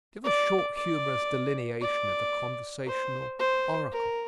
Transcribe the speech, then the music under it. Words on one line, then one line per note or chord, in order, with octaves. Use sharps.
Give a short humorous delineation of the conversational "oracle."
D5
D5
D5
C5
C5
A#4